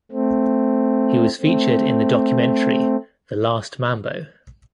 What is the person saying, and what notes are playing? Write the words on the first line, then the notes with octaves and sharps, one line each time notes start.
He was featured in the documentary "The Last Mambo".
A3 C4
A3 C4